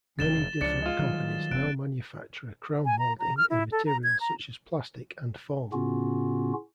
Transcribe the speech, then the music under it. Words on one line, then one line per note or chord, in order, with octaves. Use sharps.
Many different companies now manufacture crown molding in materials such as plastic and foam.
F1 E2 C#3 A6 E7 G7
C#2 C#3 F3 D4 A6 C#7
G#3 F4
D#3 F#3 G3
F1 C4 F#6 D7
G#5
A#5
A#5
F6
E4
A4
A#5
G#6
A#5
A2 C#3 B3 C#4 F4 F#4